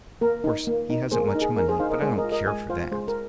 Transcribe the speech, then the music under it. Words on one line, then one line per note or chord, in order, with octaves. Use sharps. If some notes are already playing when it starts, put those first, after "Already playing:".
Of course he hasn't much money, but I don't care for that.
A#3 A#4
D#4
A#3
D#4
A#3 G#4 C5
A#4
D#4
G#4
A#3 A#4
G#4 C5
D#4 C5 F5
A#4 D#5
G#3 G#4 C5
A#4 D#5
F4
A#4 D#5
G#3 D#5 G#5
F4 C5 F5
G#3 G#4 C5
A#4